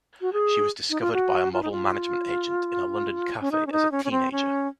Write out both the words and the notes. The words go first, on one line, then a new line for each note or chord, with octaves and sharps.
She was discovered by a model-management agent in a London cafe as a teenager.
F#4
G#4
D#4
F4
F#4
F4
D#4
F4
C#4
D#4
C#4
D#4
C#4
C#4
C4
C#4